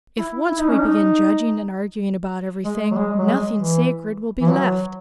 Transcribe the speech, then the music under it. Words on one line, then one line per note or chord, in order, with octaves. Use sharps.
If once we begin judging and arguing about everything, nothing sacred will be left!
E4
E4
D#4
C#4
D#4
G#3
F#3
G#3
F#3
G#3
E3
E3
F#3